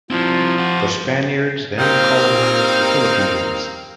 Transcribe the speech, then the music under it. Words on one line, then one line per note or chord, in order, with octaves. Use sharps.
The Spaniards then colonized the Philippines.
F3 C4 E4
F4 F#5
G3 A#3 C4 D#4 A#4 F5